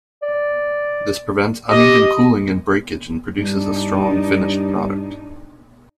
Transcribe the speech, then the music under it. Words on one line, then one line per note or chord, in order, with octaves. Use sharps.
This prevents uneven cooling and breakage and produces a strong finished product.
D5
G4 D#5
G2 D4 D#4